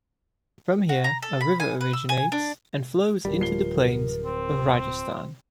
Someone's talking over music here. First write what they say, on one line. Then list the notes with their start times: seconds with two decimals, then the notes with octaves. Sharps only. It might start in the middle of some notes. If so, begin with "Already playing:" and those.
From here a river originates and flows down into the plains of Rajasthan.
0.89 F#4
1.04 A#5
1.22 A4
1.41 B5
1.60 G#5
1.81 B4
1.93 E6
2.09 G#5
2.32 D4
3.25 D1 G#1 G3 A#4
3.40 F3 C7 G7
4.24 C4